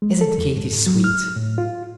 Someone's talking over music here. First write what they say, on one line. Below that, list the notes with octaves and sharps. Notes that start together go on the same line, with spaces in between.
"Isn't Katy sweet?"
G#3
A4
E2
G#2
F#3
F6
A2
F4